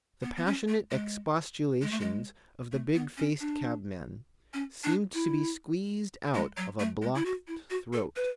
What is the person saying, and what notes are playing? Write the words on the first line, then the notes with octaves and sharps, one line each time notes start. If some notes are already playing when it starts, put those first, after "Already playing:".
The passionate expostulations of the big-faced cabman seemed to be squeezed out of a blocked throat.
B3
B3
C#4
A3
G#3
G#3
A3
G#3
A3
B3
C#4
D4
C#4
D4
E4
G#3
F#3
A3
G#3
E4
F#4
E4
F#4
A4
B4